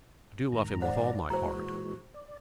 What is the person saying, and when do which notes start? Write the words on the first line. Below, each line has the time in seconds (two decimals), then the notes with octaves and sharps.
I do love him with all my heart.
0.52 G#2 D#3 A#5
0.82 C5 D5 F#5
1.30 A#2 E3 G#3 F#4 C5 A#5
2.14 D5